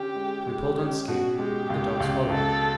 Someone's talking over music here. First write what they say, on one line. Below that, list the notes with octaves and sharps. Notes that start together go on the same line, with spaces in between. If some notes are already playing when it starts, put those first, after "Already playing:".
We pulled on ski and the dogs followed.
Already playing: D3 C#4 G4
G#3
G#3 G4
C#4
B2 F#4
G#3 G4
C#2
C#2
C#2 A4